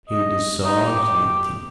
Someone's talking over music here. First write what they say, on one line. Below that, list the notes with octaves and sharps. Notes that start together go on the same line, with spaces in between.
He deserves nothing.
D#5
D#4
G4